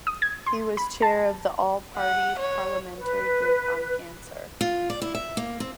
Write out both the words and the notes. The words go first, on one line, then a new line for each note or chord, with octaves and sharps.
He was chair of the All Party Parliamentary Group on Cancer.
D#6
G#6
C6
B5
A5
F#5
C#5
B4
F4
D5
E4
E5
A#3
C4